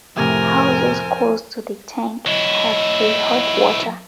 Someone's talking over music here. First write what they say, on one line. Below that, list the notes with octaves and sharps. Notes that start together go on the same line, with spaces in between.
Houses close to the tank, have free hot water.
F2 A2 C3 C4 A#4 G#5
F#3 E4 D#5